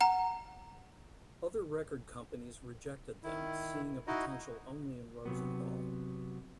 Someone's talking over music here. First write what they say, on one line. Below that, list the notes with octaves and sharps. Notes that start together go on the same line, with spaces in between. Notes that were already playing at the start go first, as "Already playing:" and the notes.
Other record companies rejected them seeing a potential only in Rosendahl.
F#5 A#5
D#3 E4
D#4 E4 F#4 D#5
C3 F#3 B3